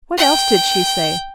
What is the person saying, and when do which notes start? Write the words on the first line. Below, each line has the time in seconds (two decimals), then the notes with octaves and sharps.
"What else did she say?"
0.18 G5